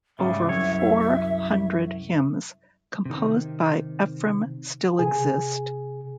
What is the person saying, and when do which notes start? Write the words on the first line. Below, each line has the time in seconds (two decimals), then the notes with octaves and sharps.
Over four hundred hymns composed by Ephrem still exist.
0.19 G#2 C#3 G3 E5
0.49 C2 F#2 C#5
3.05 C3 D#3
4.99 C3 G#4 G#5